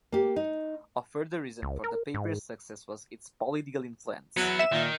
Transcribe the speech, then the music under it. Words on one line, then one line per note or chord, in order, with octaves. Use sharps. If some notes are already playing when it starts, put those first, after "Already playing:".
A further reason for the paper's success was its political influence.
A#3 G4
D#4
C#2
A#4
G#2
F#3 B3 E4
E5 E7
A#2 D#3